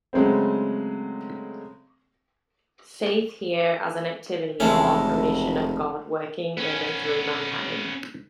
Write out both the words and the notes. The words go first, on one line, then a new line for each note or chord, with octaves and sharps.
Faith here as an activity or operation of God working in and through mankind.
C#3 F#3 G#3 A3 C4
F1 C#3 E3 G#3 A3 C#4
B3 C#4